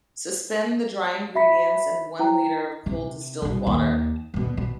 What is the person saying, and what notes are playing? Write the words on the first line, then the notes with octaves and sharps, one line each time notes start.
Suspend the dry ingredients in one liter of cold distilled water.
F#4 E5 B5 B6
E4 G5 A#5
C3
C2 B2
D#2
D2 B2
B2